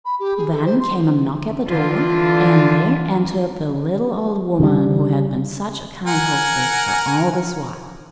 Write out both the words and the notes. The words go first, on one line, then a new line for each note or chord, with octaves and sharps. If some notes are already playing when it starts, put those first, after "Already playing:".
Then came a knock at the door, and there entered the little old woman, who had been such a kind hostess for all this while.
B5
G4
G#4
A4
C5
C6
D3 E3 F4
C#3 G3
A#4 F#5 G#5